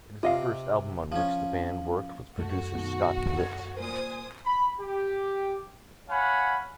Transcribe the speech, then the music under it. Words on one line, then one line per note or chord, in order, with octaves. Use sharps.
It is the first album on which the band worked with producer Scott Litt.
C3 F4 D#5 F5
F3 C#4
F#2 A3 F#4
B2 D#3
A4 G#6
A#2 A#4 C5 G#5 D#6
B5
G4
C#5 F5 F#5 G#5 B5